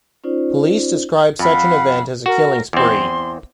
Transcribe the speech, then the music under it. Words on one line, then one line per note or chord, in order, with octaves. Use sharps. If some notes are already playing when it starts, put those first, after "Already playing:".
Police describe such an event as a killing spree.
C#4 D#4 F4 C5 D5
F2 F5 F#5 B5
F#4 A#4
E2 C4 C6